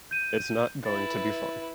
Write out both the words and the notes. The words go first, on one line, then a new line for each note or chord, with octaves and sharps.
It's not going to be fun.
G6 D#7
E4 B4 A6